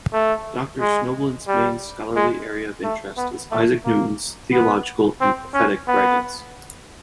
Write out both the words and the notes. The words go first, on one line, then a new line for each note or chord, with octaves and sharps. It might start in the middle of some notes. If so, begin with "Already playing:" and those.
Doctor Snobelen's main scholarly area of interest is Isaac Newton's theological and prophetic writings.
A3
G#3
G3
G#3
A3
B3
A3
A#3
B3
C4
C#4
B3